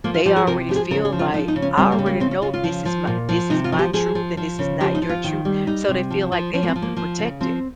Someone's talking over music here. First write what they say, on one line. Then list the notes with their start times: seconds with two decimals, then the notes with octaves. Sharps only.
they already feel like, "I already know this is my this is my truth, and this is not your truth," so, they feel like they have to protect it
0.04 F3 A#3
0.14 F4
0.26 F3 G4
0.36 G#4
0.47 C3 A#4
0.69 F3 G4
0.76 G#4
0.91 C#3 A#4
1.05 G#4
1.12 F3
1.19 F4
1.34 F3 D#4
1.48 D#4
1.56 C#3
1.62 C#4
1.77 G3 C4
1.92 A#3
1.99 C#3
2.06 A#3
2.20 C#3 C4
2.31 C#4
2.42 C#3 F4
2.54 F4
2.64 F3
2.85 F3
3.07 A#2
3.29 F3
3.50 C3 D#4
3.64 F4
3.72 F3
3.79 G4
3.93 F3 G#4
4.15 F3
4.37 F3
4.59 C#3
4.80 F3 G4
4.95 D#4
5.02 F3
5.09 F4
5.24 D#3
5.45 G3
5.67 G3 D#4
5.88 C3
6.10 F3
6.32 F3
6.54 F3 C#4
6.63 A#3
6.68 C4
6.76 F3
6.82 A#3
6.96 F3
7.19 C#3
7.41 F3 C4